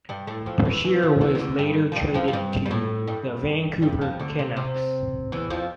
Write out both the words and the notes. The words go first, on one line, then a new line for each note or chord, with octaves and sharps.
Brashear was later traded to the Vancouver Canucks.
G2 G3
A2 A3
F2 F3
E2 E3
E2 E3
F2 F3
E2 E3
C3
D2 D3
G2 G3
F3
G2 G3
F2 F3
F3
G2 G3
G3
A2 A3
G2 G3
G2 G3
F2 F3
D2 D3
C3
C3
E2 E3
F2 F3